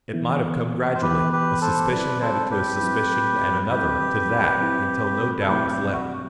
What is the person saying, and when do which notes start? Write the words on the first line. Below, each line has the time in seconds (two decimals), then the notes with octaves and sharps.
It might have come gradually, a suspicion added to a suspicion and another to that until no doubt was left.
0.13 E3 B3 E4
0.95 C5
1.02 E3 B3 E4 G4 B4
1.32 G4 B4
1.62 A4 C5
1.91 F#3 C4 E4 B4 D5
2.21 A4 C5
2.51 G4 B4
2.80 F#3 C4 E4
3.69 F#3 C4 E4 G4 B4
4.59 F#3 C4 E4
5.41 A4
5.48 B2 F#3 A3 C4 E4 G4 B4
5.71 G4
5.93 F#4